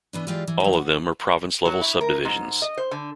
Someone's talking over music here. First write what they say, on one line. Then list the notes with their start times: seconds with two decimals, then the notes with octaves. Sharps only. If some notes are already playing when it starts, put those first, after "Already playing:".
All of them are province-level subdivisions.
0.13 E3 B3 D4
0.27 E3 G#3 F4 G4 D5
0.47 E3
0.60 D#3 F#3
0.73 F#5
1.65 F#3
1.81 E4
2.01 A#4
2.25 G#2
2.62 D#5
2.78 C5
2.91 D3